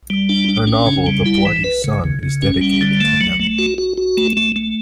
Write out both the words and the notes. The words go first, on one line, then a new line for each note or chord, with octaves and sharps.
Her novel "The Bloody Sun" is dedicated to him.
G3
D4
D4
C#4
C#3
G3
E4
E3
B4
C#3
C#3
C#3
C#4
G3
D3
A3
F#3
A3
F#4
F#4
F#4
A3
A3
A3